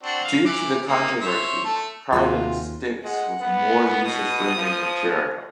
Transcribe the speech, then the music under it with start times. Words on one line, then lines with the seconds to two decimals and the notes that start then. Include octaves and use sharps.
Due to the controversy, Carlin sticks with more user-friendly material.
0.03 C4 D4 F#4
0.25 F5
0.45 E3 D6
0.88 A#3 D#4
1.21 C5 C#5 E5
1.64 A3 A4
2.13 D#2 C3 F4 F#4 G#4
3.04 G#3 F#5
3.41 B3
4.05 B2 D#6
4.56 F3